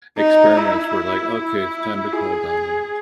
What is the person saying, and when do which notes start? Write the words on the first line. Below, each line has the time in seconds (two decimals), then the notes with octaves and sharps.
experiments were like, "Okay, it's time to call Domino's.
0.18 D#4
0.57 E4
1.35 E4
2.12 G#4